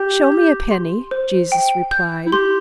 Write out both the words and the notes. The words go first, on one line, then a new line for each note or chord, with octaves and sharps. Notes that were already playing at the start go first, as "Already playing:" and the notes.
"Show me a penny," Jesus replied.
Already playing: G4 G5
G6
C6
C5
G5
G6
E4
G4 C6